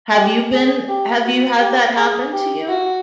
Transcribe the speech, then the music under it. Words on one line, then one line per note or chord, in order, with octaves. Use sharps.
Have you been have you had that happen to you?
G4
G#4
G4
F#4
G4
G#4
G4
F#4